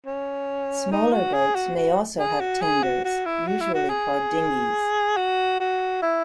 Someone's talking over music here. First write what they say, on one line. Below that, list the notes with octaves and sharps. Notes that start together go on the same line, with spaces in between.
Smaller boats may also have tenders, usually called dinghies.
C#4
D#4
F#4
G#4
F#4
F#4
G#4
F#4
G#4
F#4
F#4
E4
F#4
E4
F#4
G#4
F#4
F#4
E4